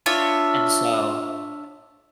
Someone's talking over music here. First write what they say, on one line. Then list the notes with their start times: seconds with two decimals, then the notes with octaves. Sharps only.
And so,
0.06 D4 F4 C#5 E5